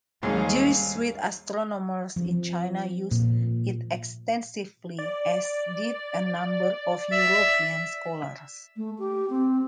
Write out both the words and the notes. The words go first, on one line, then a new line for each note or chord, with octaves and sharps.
Jesuit astronomers in China used it extensively, as did a number of European scholars.
G#1 D#2 G#2 G3 G#4 F5
F3
A#2
D5
E5
A3
G4
C4